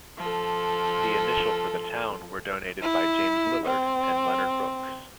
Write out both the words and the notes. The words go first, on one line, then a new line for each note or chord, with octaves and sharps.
The initial for the town were donated by James Lillard and Leonard Brooks.
F3 A4
E4
C4